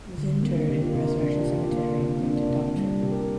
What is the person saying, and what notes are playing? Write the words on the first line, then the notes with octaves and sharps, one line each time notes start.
He was interred in Resurrection Cemetery in Clinton Township.
D3
A#3 C4
D4
C3 G4
F4
C3 A#4
D4
C3 D4
G4
F4
C3 G4
F4
A#3
C3 F4
D4
A#3 C4
D4
C3
G3
C3 G4
A#4
G4